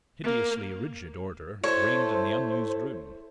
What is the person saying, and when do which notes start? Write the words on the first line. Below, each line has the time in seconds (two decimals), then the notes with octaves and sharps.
Hideously rigid order reigned in the unused room.
0.24 A#3
1.64 A3 E4 A4 C5 C#5